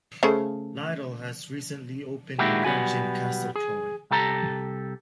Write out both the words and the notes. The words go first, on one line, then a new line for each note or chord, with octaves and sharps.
Lidl have recently opened a branch in Castletroy.
C#3 A3 C5
A#2 D#3 G#3 E4 F#4 G4
B1 G3 B3 F#4 G#5
G#4
C2 G4 A4 A#5